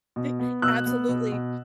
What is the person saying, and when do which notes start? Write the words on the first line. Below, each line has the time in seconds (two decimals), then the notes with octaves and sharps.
The absolutely.
0.16 B2
0.39 B3
0.62 B2 E6 F#6
0.86 B3
1.09 B2
1.32 B2